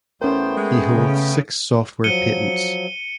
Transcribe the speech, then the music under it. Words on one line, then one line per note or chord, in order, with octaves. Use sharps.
He holds six software patents.
E2 A3 B3 C#4 A#4 C5 G5
G#3
C#3
F3 F#3 C#7 D#7 G7